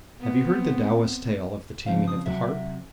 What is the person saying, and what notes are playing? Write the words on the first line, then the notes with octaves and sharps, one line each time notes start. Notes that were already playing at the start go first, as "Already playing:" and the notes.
Have you heard the Taoist tale of the Taming of the Harp?
B3 C4
C#3 F3 C4 F5
D#6
C3 F#3 E5